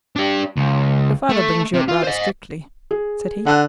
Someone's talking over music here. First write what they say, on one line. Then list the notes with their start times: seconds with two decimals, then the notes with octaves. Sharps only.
"Your father brings you up rather strictly?" said he.
0.16 D4 G4
0.57 C#2
1.30 A3
1.74 C3
1.88 F4
2.03 C5 D#5
2.91 G#4
3.46 D3 F#5 A5 F#6